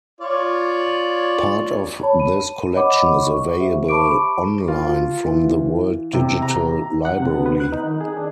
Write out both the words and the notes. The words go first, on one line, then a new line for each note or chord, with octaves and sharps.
Part of this collection is available on-line from the World Digital Library.
F4 C#5 D5
C#5 A5 B5
D#7
C#5 D#5 F#5 B5 D6
C#6
G4 C5 E5
A5 B5 C#6 D6 D7
F4
E3
C3
A#5
F#5
C3
B3
B4
F#6
D#4
D#3
G#4
D4